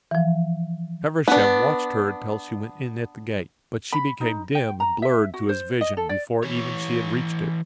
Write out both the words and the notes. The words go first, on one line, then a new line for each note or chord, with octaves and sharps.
Feversham watched her till she went in at the gate, but she became dim and blurred to his vision before even she had reached it.
E3 F3
B3 D4
B5
D#4
G5
A#5
E5
F#4
C5
D#5
A4
D5
E3 C#5